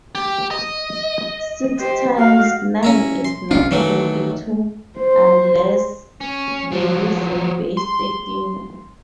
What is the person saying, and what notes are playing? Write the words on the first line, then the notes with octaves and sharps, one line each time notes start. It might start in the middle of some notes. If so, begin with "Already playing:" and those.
Six times nine is not forty-two unless you’re using base thirteen.
G4
D#5
G4 C5
F#4 F5
C#4 E4 A#5
C6
B1 C#4 D4 F4
D#3 E3 F#3 A3
C5
C#4
F3 F#3
C6